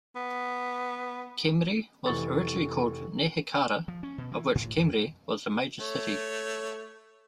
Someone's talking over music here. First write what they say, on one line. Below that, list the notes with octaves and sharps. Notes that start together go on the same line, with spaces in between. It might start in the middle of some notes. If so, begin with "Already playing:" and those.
Khemri was originally called Nehekhara, of which Khemri was a major city.
B3
F1 E3 C#6 A6
F3
C#4
B2
E3
A2
F2
A3 C#5